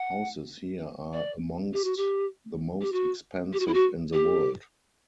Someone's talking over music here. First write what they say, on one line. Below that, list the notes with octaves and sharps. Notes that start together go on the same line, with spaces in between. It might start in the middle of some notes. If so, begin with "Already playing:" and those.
Houses here are amongst the most expensive in the world.
Already playing: F#5
D5
G4
F#4
G4
G4
F#4
G4
F#4
E4
F#4
G4